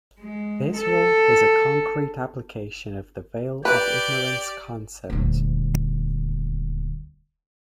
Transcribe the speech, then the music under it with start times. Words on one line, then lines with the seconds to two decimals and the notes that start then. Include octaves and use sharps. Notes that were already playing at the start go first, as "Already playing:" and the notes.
This rule is a concrete application of the veil of ignorance concept.
0.20 G#3
0.76 A4
3.65 G4 B4 D5 G6
5.10 D#1 D2